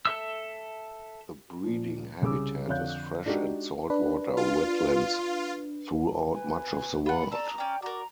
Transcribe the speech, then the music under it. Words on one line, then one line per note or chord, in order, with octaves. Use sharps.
The breeding habitat is fresh and salt-water wetlands throughout much of the world.
A4 E5 E6
A#2 F3
C2 C#3 G3 D6 E6
F2 D3 C#5 F5 F#6 G6
G#3 D4 D#4 F#4 G4
D4 B4
F4
B4 G#5
F4 F#5 B5
A4 D5 A#5
C#4 D5 G5
F#4 A#4 D5 A#5